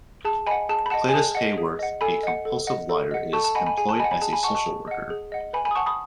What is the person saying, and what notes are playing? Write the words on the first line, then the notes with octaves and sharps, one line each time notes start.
Cletus Hayworth, a compulsive liar, is employed as a social worker.
G#4 A5
D#5 F#5 G#5 B5
G#4 A5
B5
D#5 F#5 A5
G#5
G#4 A5
D#5 F#5
G#4
D#5 F#5
A4 G#5 B5
D#5 F#5
A4
D#5 F#5
A4
D#5 F#5
A4 A5 C#6
A5
D#5 F#5 G#5 B5
G#5 B5
G#4 G#5
A5
D#5 F#5 G#5 B5
G#5 B5
G#4 A5
G#5 B5
D#5 F#5 A5 C#6
A5 C#6
G#4
D#5 F#5
G#4
D#5 F#5
B4 G#5 B5
G#5 B5
D#6
F#5 A5 C#6
B5 D#6